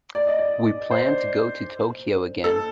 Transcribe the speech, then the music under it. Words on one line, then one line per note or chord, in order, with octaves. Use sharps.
We plan to go to Tokyo again.
D5
D#5
D5
C5
A4